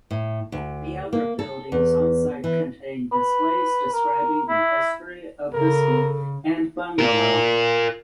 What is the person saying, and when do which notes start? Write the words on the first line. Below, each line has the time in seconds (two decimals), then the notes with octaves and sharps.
The other buildings onsite contain displays describing the history of the school and bungalow.
0.11 A2
0.52 D2
1.13 A#3
1.39 A4
1.72 E2
2.44 E3
3.12 B4
3.93 A#4
4.48 E4
5.53 C#3 A4 A#4
6.99 F4 A#4